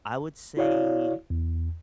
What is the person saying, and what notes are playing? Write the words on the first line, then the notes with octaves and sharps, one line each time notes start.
I would say
E4 F#4 C#5 D5 F5
E2